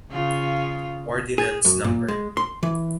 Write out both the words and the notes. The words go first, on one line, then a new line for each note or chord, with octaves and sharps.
Ordinance no.
C#3 F4
G#4
F#2
A#2
G#3
C6
E3